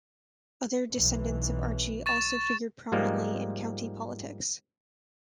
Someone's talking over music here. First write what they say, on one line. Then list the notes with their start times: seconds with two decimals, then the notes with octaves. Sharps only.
Other descendants of Archie also figured prominently in county politics.
0.94 B1 E3
2.06 C#6 A6 E7
2.92 G#2 F3 G3 G#3 A#3